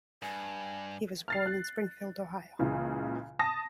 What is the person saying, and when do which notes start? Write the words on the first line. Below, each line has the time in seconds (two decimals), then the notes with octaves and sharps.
He was born in Springfield, Ohio.
0.22 G2 G#5
1.28 F6 A6 C7
1.46 F#6
2.59 C#2 A#2 C#3 E3
3.39 A5 D#6 A#6